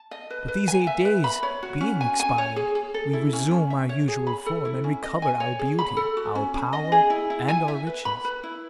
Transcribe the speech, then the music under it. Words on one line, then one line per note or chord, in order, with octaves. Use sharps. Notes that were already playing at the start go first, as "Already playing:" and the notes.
But these eight days being expired, we resume our usual form, and recover our beauty, our power, and our riches.
Already playing: A5
D#5
B4
B4
G#5
E5
B4
B5
C#5
F#4
C#4
G#5
G#5
C#5
G#4
G#4
A4
E4
C#4
C#4
E5
C#5
G#4
B5
A4
E4
C#4
D#5
G#5
C#5
G#4
B5
A4
F#4
C#4
C#4
D#5
G#4
E4
E4
G#5
E5
B4
B5
B4
E4